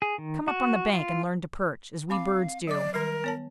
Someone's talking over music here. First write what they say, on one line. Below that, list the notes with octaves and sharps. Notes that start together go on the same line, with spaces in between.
Come up on the bank and learn to perch, as we birds do.
G#4
D#3
F#4
F4
C4 F5 B5 D6
F#3 D5 D6
D#3 G3 A#4
B3 C#5 A5